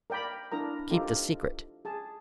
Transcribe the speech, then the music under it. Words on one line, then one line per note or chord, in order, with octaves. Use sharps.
Keep the secret.
A#4 D5 G5 A#5 B5
D4 E4 A#4 A#5
D#4 F4 G4 A4 A#4
G#4 A5